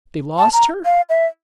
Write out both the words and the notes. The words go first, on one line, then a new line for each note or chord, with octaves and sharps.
"They lost her?"
A5
A#5
F5
E5